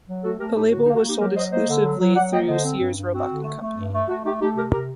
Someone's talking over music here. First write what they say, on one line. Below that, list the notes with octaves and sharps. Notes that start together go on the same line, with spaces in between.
The label was sold exclusively through Sears, Roebuck and Company.
F#3
A3 F#4 A4
A3 G4 A#4
A2 D#4 G4
D3 F#4
D#4
A#3
F#4
A#3 D#4 G4
F#3 G4 A#4
F#3 C5 D#5
A#3 C5 D#5
D3
F#3
F#3
F#3 D5 F#5
A#3 D#5 G5
D3 C5 D#5
C4
G2
G2
C4 F#4
D3
A3
A3
G2
A3
A3 F#4
A3 D#4 G4
A3 D#4 G4
C3 G4 A#4
C3 G4 A#4